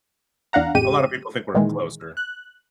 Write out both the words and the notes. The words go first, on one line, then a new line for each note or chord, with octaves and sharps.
A lotta people think we're closer,
E2 D4 F5 F#5 A#5
A1 F2 G#3 G4 D#7
A#2 D#3 E3 G#3
F#6